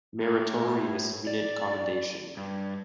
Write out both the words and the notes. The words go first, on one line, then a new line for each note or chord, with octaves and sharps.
Meritorious Unit Commendation.
A2
D5
G2